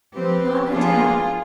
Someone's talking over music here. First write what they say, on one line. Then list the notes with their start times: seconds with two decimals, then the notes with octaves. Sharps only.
Not a doubt.
0.14 F3 C4 G4 B4
0.72 F3 B3 D4 F4 G#4